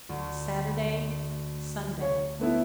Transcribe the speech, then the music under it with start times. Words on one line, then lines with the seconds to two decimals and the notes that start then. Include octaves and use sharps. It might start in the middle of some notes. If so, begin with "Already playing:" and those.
Saturday, Sunday.
0.09 D2
2.01 C#5
2.39 A3 B3 E4